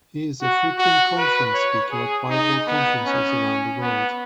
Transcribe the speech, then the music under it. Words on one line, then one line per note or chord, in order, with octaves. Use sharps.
He is a frequent conference speaker at Bible conferences around the world.
F#4
F#4
B4
C#5
G#4
D#4
B3
C#4
B3